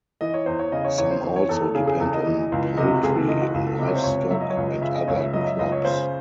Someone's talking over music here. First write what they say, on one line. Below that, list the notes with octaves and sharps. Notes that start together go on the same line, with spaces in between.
Some also depend on poultry, livestock, and other crops.
E3 D#5
C#5
E2 C5
C#5
C#3 D#5
C#5
E2 C#5
C5
E3 C5
C#5
E2 A4
A4
C#3 G#4
G#4
E2 A4
D#5
E3
C#2
C3 D#5
F#4
C#2 G#4
A4
E3 D#5
F#4
C#2
A4
C3 D#5
C#5
C5
C#2 C#5
F#3 E5
D#5
C#5
C#2 D#5
C#3 E5
D#5
C#2 C#5
E5
F#3 D#5
E5
C#2 D#5
C#5
C#3 C5